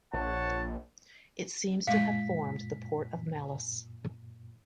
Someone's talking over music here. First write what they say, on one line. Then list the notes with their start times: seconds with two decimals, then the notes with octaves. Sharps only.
It seems to have formed the port of Mallus.
0.14 A#1 C#5 F#5 A5
1.87 F#2 A#2 G#3 F5 B6